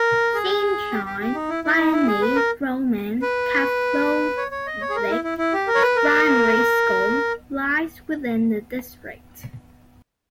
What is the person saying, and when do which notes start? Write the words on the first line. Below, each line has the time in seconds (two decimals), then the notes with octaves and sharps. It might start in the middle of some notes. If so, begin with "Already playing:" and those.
Saint John Vianney Roman Catholic Primary School lies within the district.
Already playing: A#4
0.34 G#4
0.92 G4
1.06 G4
1.20 G4
1.35 D#4
1.49 E4
1.64 E4
1.78 D#4
1.92 E4
2.07 G#4
2.22 B4
2.36 A#4
3.22 B4
4.37 C#5
4.51 C#5
4.67 D#5
4.81 C#5
4.90 G#4
4.96 A#4
5.10 E4
5.24 E4
5.38 E4
5.53 G4
5.67 A#4
5.75 C#5
5.82 B4
5.96 A#4